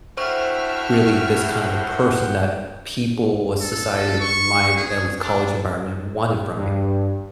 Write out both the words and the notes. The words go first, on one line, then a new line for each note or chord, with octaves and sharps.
really this kind of a person that people of society in my at least college environment wanted from me.
D2 A2 C5 E5 F#5 G5 C#6 F6
A4
C#6
G#4
D4
G2